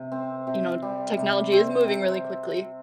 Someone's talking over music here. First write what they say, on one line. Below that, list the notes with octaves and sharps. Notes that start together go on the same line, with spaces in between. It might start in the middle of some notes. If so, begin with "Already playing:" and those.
you know, technology is moving really quickly.
Already playing: C3
C4
C3
G3
C3
C4
C3